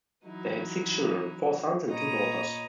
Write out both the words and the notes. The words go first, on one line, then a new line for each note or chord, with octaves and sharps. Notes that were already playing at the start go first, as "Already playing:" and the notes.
They had six children, four sons and two daughters.
E3 F#3 D#4 E4
A#2 B4 C#5 D#5 A#5 D#6